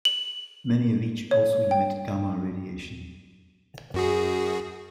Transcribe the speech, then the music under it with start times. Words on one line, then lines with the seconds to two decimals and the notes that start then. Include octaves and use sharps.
Many of each also emit gamma radiation.
0.05 F#7
1.31 C#5
1.71 G5
3.94 F#2 F#4 G#4